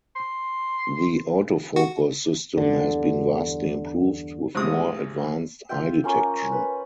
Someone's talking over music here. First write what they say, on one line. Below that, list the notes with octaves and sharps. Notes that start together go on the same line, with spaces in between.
The autofocus system has been vastly improved with more advanced eye detection.
C6
F#4
E2 G2 D3
G#1 D2 C3 D#6
F4 E5 G5
A#3 C#4 F4
B4